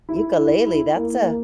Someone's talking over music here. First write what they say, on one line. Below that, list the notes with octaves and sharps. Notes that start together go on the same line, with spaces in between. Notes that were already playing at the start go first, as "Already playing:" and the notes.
Ukulele, that's a
E4
E4
E4
A#3
A#3